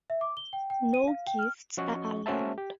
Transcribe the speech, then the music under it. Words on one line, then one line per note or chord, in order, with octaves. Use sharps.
No gifts are allowed.
E5
D6
G7
G5
G5
D#7
F5
G5
F6
F3 C#4 F#4 D#5 C#6
A#3 C#4 F#4 C5 E5 A5
G4